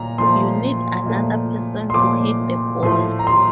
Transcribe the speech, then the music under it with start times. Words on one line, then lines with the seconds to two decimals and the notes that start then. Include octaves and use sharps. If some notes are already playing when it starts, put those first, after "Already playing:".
You need another person to hit the ball.
Already playing: A#2 A#5
0.18 A#2 F3 A3 C6
1.06 A#2 F3 A3
1.90 C6
1.94 A#2 F3 A3 D6
2.83 A2 F3 A3 C6
3.19 A#5
3.27 C6